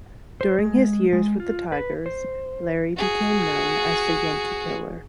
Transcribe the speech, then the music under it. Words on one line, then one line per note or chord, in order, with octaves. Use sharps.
During his years with the Tigers, Lary became known as The Yankee Killer.
C5
G#3
G#3
F4
B4
C5
F#4 G#4